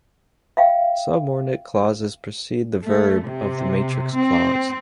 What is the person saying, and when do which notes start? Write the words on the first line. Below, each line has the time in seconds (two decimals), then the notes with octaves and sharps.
Subordinate clauses precede the verb of the matrix clause.
0.57 E5 F5 G5
2.84 A3
3.25 C3
4.16 C4